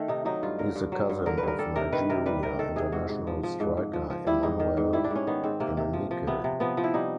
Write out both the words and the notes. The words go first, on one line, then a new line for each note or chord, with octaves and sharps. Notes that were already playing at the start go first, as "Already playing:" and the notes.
He is the cousin of Nigeria international striker Emmanuel Emenike.
Already playing: D#3 A3
C3 D#4
F#3 D#4
G2 F4
D3 A#4
G2
F#3
G2
D3 A#4
B4
G2 A#4
G3 A4
C3 A#4
D#3 B4
C3 A#4
G3 B4
C3 A#4
D#3 A4
C3 G#4
G#2 F#4
G#2
F3
F3
G#2
G#2
F3
F3
G3 E4
G#2 D#4
D#3
G#2
G3 E4
D4
G#2 C#4
D#3 B3
G#2 C4
C3 A#3
C3
F3
F3
C3 B3
C3
F3 B3
F3
E4
G3 D#4